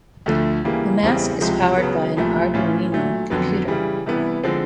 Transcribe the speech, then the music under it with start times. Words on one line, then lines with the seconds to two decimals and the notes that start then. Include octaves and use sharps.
The mask is powered by an Arduino computer.
0.26 D2 D3 F3 A3
0.64 C#3 E3 G3 A#3
1.03 E2 C#3 E3 G3 C4
1.41 C#2 C3 F3 G#3
1.78 C#3 F#3 B3
2.16 C2 A#2 F3 A3
2.54 A2 E3 A3 C#4 F4
2.92 A#2 F#3 A3
3.30 F2 D3 F#3 B3
3.68 C#3 E3 G3
4.06 C3 E3 G3 B3 E4
4.44 D3 F3 G#3 C4